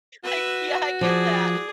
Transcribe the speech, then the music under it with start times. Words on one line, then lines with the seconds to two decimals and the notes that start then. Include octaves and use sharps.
I yeah, I get that.
0.24 F#4 B4 E5
1.01 F3 G#4 D5